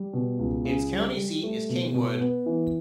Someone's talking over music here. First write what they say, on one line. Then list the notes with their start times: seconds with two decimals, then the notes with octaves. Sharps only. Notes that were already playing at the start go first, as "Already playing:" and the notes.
Its county seat is Kingwood.
Already playing: G3
0.13 B2
0.39 C#2
0.65 C#3
0.91 G3
1.17 G3
1.43 A3
1.69 B2
1.94 B2
2.21 B3
2.46 E3